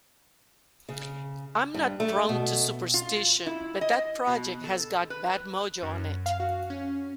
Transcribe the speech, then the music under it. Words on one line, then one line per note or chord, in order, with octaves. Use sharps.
I'm not prone to superstition, but that project has got bad mojo on it.
C#3
G2
A3
B2
F4
E4
D#5
B2
A4
B4
F#2
F5
F#4
C#4